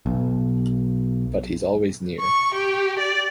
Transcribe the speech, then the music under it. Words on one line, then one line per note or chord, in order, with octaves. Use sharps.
But he's always near.
B1
C#6
G4
D5